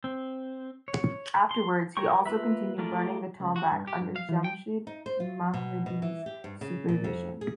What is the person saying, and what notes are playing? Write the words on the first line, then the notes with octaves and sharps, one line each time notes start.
Afterwards, he also continued learning the tombak under Jamshid Mohebbi's supervision.
C4
C#5
C6
A#4 C#5 G5 C#6
A#3 F4 B4 E5
G#3 A3 F4 A#4 D5
C#2
F#4
G2
G4
G2
F5
E3
G5
D#4
C5
F4
B2
B2
E3
G4
G2
C#3
A#2
F2
G#4